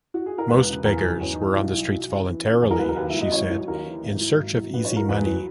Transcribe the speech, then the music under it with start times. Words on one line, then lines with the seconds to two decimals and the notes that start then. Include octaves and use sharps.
Most beggars were on the streets voluntarily, she said, in search of easy money.
0.14 F#4
0.26 G#4
0.38 A#4
0.50 E1 B4
0.68 C#3
0.85 E2 A#4
1.03 F#3
1.20 E2 C#4
1.32 D#4
1.38 E3
1.55 B1 F#4
1.74 F#3
1.91 F#3
2.09 C#3
2.26 E3
2.44 C#3
2.62 E2 G#4
2.71 A#4
2.79 F#3 B4
2.89 A#4
2.96 D#2 B4
3.09 E5
3.14 F#3
3.21 D#5
3.32 C#2 C#5
3.50 F#3
3.68 D#2 A#4
3.85 E3
4.03 G#1
4.21 F#3
4.39 G#1
4.56 F#3
4.74 A#1 B4
4.85 C#5
4.91 F#3
4.96 A#4
5.09 E2 B4
5.26 F#3